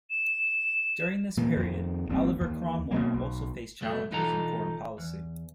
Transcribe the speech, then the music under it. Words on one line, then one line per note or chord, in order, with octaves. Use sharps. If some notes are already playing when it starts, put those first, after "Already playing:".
During this period Oliver Cromwell also faced challenges in foreign policy.
E7
A#2 D#3 E3
F2 D#3 F3
G#1 D#2 G3 C4
D#2
B2 D3 F#3 A#3
B1
C2 F2 F#3 A3
B1 E3 D#4 F4 A4 A#5
E2